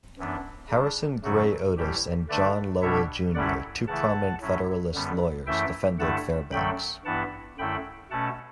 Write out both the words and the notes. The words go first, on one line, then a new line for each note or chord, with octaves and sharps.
Harrison Gray Otis and John Lowell, Junior two prominent Federalist lawyers, defended Fairbanks.
F#2 E3 B3 D4
C#3 G3 D4
F#2 C#3 F#3 A3 F#4
A2 E3 G3 G4
D3 A3 D4 B4 D5
B2 G3 D4 C#5 E5
F#2 D3 G3 C#4 E4 D5 F#5
C#3 E3 A3 E4 F#5 A5
A2 F#3 C#4 E4
F#2 D3 G3 B3
F#2 E3 A3 E4 E5 G5
G2 D3 A3 E4 F#5 A5
F#2 D3 F#3 A3 G5 B5
G2 E3 B3 E4 F#5 A5
F#2 D3 A3 E4 G5 B5
B2 A3 C#4 F#5 A5